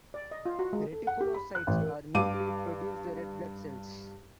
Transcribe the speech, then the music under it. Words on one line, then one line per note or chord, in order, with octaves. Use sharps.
Reticulocytes are newly produced red blood cells.
D5
D#5
F4
F#4
G#3
A4
F#5
G4
B5
F#6
A1
A#4
G2 F5 D6 D#7